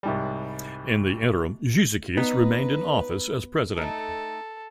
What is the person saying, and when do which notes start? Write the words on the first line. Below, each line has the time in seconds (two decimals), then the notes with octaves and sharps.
In the interim, Gizikis, remained in office as President.
0.03 C2 G#2 G3
2.17 B3 D#4 B4
3.77 A3 D#4 A4